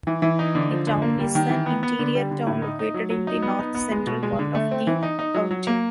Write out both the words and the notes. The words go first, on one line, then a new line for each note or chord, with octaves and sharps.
The town is an interior town located in the north-central part of the county.
E3
E3
D#4
D3
F3
D3
A#3
G3
D#3
E3
B3
B3
D3
G3
D3
A2
D#4
D#4
F#3
F#3
D#4
B3
D#4
B3
G#3
B2
G#3
D3
A3
C4
E3
D#4
D#4
F#3
F#3
A#3